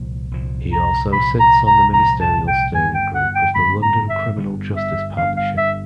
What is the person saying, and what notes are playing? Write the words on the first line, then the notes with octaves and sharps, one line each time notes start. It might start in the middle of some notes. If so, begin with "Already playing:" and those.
He also sits on the Ministerial Steering Group of the London Criminal Justice Partnership.
Already playing: C2 A#2 F3
C2 A#2 F3
A#5
C2 A#2 F3 B5
A#5
A#5
C2 A#2 F3 A#5
A5
G5
G2 D3 G3 B3 G#5
G5
F#5
G5
G2 D3 G3 B3 B5
A#5
E5
G2 D3 G3 B3
E5
G2 D3 G3 B3 F5
F5
E5